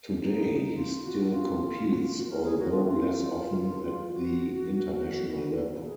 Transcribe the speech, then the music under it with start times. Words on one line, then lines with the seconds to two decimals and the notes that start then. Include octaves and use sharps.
Today, he still competes although less often at the international level.
0.19 D#4
0.75 F4
1.03 F#4
1.31 F4
1.87 F#4
2.01 F4
2.16 F#4
2.29 A#4
2.43 G#4
2.58 F#4
2.71 F4
2.86 F4
3.56 F4
3.84 F4
4.13 F#4
5.81 G#4